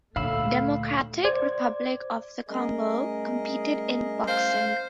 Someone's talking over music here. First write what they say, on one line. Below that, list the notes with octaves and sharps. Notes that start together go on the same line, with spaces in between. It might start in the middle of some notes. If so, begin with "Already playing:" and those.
Democratic Republic of the Congo competed in boxing.
D2 A#2 A3 C#5 E5 F5 B5 E6
C5 D5 G#6
G3 A3 C#4 G#4 A#4 D#5
C5 F5